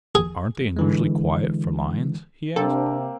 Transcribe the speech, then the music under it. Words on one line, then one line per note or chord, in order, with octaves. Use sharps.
"Aren't they unusually quiet for lions?" he asked.
G#4
D3 E3 G#3
C3 A#3 C4 D4 A4